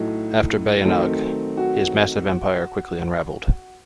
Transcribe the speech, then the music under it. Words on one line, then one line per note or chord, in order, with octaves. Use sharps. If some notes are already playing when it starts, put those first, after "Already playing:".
After Bayinnaung, his massive empire quickly unraveled.
Already playing: A2 F#3 A3 D#4
D#3 F#3 A3 C4 D#4
F#4